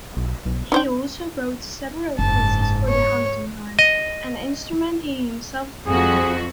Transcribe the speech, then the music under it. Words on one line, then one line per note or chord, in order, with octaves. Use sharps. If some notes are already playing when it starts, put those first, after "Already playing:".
He also wrote several pieces for the hunting-horn, an instrument he himself played.
B1
B1
C#4 D4 C5 G5
F#1 G#2 A5
C#5
D#5
F2 F#4 G#4